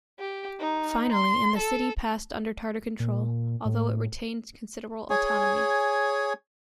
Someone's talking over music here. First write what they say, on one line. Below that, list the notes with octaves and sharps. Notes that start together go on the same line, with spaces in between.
Finally, in the city passed under Tatar control, although it retained considerable autonomy.
G4
D#4
C6
A4
A#2
A2
G#4 C#5 G#5